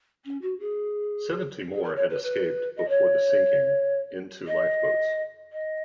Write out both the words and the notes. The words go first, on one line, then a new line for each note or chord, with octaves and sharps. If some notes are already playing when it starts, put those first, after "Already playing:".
Seventy more had escaped before the sinking in two lifeboats.
C#4
F#4
G#4
G#4
A#4
C#5
B4
B4
D#5
C#5
D#5
D#5